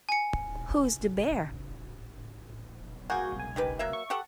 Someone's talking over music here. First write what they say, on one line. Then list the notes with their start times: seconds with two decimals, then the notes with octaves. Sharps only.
Who's the bear?
0.09 G#5 C#7
3.10 A#3 F#4 G#4 G#5 G6
3.36 B1 G#5
3.56 D#3 G4 B4
3.79 F#3 A#3 E5
3.93 C#6
4.10 G4 A4 F#5